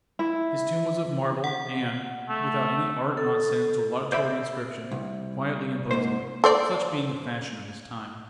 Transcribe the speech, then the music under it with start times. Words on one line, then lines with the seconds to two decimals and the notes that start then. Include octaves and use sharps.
His tomb was of marble, and, without any art nonsense or laudatory inscription, quietly imposing--such being the fashion of his time.
0.19 E4
1.44 F#5
2.29 A3
3.17 A4
4.12 C5 D5 E5 B5
4.91 C2
5.91 G#2 A#3 C5
6.44 A4 C5 D5